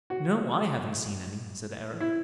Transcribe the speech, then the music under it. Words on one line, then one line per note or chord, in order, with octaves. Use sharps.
'No, I haven't seen any', said Eric.
F#4
E4